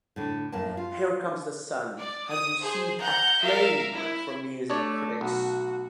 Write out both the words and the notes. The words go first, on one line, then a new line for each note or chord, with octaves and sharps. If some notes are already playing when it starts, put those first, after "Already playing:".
"Here Comes the Sun" has received acclaim from music critics.
A2 D3
F#2 A2 A#3 A5
F4
D5
D#6
G#4 C5
F#5 A#5 G6
A#4 E5 F5
E4
A3 D4 C#5 D5
B1 F#4